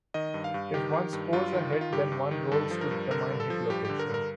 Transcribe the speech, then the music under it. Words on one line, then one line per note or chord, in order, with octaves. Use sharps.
If one scores a hit, then one rolls to determine hit location.
D#3 D#5
G2
F5
G2
D#3 G4
D#3
G2
G2 F4
D#3
D#3
F4
G2 G4
G2
D#3
G2 A4
F3
A#4
G2
D3 A#4
G2
A4
F3
G2 G4
D3 G4
A#4
G2 A#4